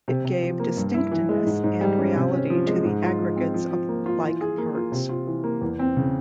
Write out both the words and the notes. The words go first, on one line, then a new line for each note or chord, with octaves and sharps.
It gave distinctness and reality to the aggregates of like parts.
C3
C3
F3
A#3
G2
E4
E3
G#3
G#2
G#2
G3
C#4
C3
C#4
F3
G#3
G#2
F4
F3
C4
F3
F3
A#3
F4
E3
G#4
A#3
F4
C3
F4
E3
A#3
E2
C4
C#3